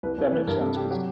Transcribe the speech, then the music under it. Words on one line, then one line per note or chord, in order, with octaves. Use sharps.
That makes sense 'cause
C2 B4
C2
E3 B4
G2 A#4
C3 A4
C3 G4
F#3 G4